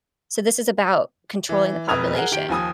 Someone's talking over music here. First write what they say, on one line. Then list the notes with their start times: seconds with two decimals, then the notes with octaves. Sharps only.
So, this is about controlling the population.
1.49 E3
1.88 E1 F2 B4 D#6 G#6 F7
2.15 G#4 A#4 F#5
2.31 D#3 G4 D7
2.49 D#2 F3 G#5 D#6